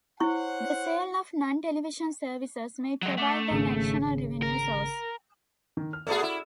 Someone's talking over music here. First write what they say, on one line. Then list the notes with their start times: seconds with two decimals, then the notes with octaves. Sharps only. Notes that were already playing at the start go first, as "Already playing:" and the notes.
The sale of non-television services may provide an additional revenue source.
0.20 E4 C5 C#5 F#5 C#6
3.03 F#3 G#3
3.18 A3 F#5 D6
3.51 G#1 C#3
4.42 A#4
5.77 D#3
5.93 F6
6.07 A3 B3 F#4 G#4 A4 D5
6.23 E4